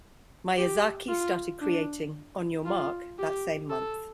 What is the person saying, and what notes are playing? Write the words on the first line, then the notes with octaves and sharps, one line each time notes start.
Miyazaki started creating "On Your Mark" that same month.
G4
F4
D4
F4
G4
A4